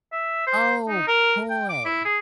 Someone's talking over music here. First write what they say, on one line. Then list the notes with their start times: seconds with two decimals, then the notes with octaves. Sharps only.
Oh, boy.
0.13 E5
0.47 C5
0.89 D#4
1.08 A#4
1.50 G5
1.70 D6
1.85 E4
2.05 G#4